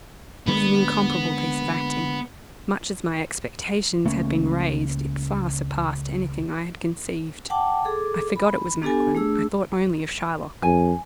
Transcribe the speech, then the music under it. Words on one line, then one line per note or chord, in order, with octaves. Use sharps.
It was an incomparable piece of acting: much as my expectations had been raised, it far surpassed any thing I had conceived--I forgot it was Macklin, I thought only of Shylock.
D3 G#3 A#3 B3
C#2 A3 A#3 C#4
F#5 G5 A5 D6
G#4 A4 D6
B5
B3 D4 G4 A4 G#5
A3 D4 G#4 E6
F2 G#5